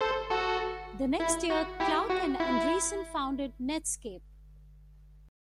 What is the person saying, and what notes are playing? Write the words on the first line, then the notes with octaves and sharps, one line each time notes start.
The next year Clark and Andreessen founded Netscape.
A4 C5
F#4 A4
E4
F#4
E4 G4
F#4
E4